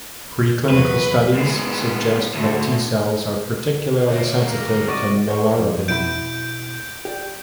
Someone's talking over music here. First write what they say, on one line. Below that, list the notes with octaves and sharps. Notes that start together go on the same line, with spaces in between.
Pre-clinical studies suggest that T-cells are particularly sensitive to nelarabine.
E2 F#3 B4
A#2 G#3 B3
D2 A2 D3
D2 A#3 C#5 E5
A#4
C2 F#4 D5 D#5
C5 C#5
F2
B2 E4 B5 G6 D7
G4 D5